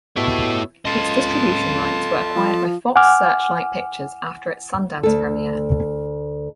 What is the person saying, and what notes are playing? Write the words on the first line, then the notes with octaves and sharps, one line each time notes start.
Its distribution rights were acquired by Fox Searchlight Pictures after its Sundance premiere.
B2 A3 E4 G4 A4 C#5
C#2 F4 A4 D#5 A5
F3
F#5 G#5 D6 F6
D2 A4